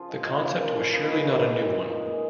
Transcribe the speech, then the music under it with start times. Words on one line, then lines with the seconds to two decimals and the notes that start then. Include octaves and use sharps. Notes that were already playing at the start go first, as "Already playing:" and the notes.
The concept was surely not a new one.
Already playing: C#3 F3 F4 G#4
0.09 G#3
0.26 F3
0.43 A#2
0.59 F3 C#4
0.74 A#2 C#4
0.91 G#3 B3
1.07 A#2
1.24 G#3
1.40 A#2
1.57 A#2
1.73 G#3
1.89 A#2 D#4
2.06 G#3